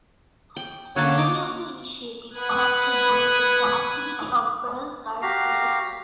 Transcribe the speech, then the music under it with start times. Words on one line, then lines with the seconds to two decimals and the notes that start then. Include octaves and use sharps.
Many of the initiatives had to do with the activity of Berl Katznelson.
0.56 G5
0.96 D3 A#3 C#5 F#5 A5
1.18 D#4 D6
2.36 B4 F#5 B5 D#6 F#6 G#6
5.22 F#4 G4 F5 A#5